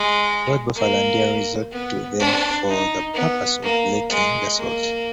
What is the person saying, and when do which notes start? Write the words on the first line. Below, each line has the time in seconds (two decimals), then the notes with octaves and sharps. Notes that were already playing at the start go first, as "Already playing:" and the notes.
Both buffalo and deer resort to them for the purpose of licking the salt.
Already playing: G#3
0.76 A#3
1.72 B3
2.19 D4
2.67 D#4
3.14 B3
3.62 A#3
4.10 G#3
4.58 A#3